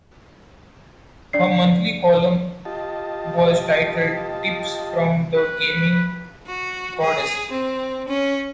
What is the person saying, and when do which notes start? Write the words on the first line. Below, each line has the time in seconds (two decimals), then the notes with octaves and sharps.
Her monthly column was titled "Tips from the Gaming Goddess".
1.33 D4 D5 C7
2.65 F4 G4 D#5 A5
5.36 B4
6.48 F#4
7.03 G#4
7.53 C4
8.10 C#4